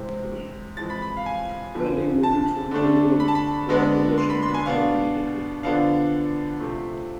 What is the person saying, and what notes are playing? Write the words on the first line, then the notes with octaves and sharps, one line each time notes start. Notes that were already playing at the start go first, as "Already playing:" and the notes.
Many wounded soldiers were brought to Washington for medical treatment.
Already playing: C3 E3 G#3 C4
F2 E3 G#3 A6
B5
B5
F5
G#5
F2 D3 F3
A5
D3 A3 D4
B5
A5
B5
D3 G#3 B3 D4
C6
B5
C6
G#5
B2 B3 D4 F5
D3 F3 B3 D4 F5
C3 F3 A3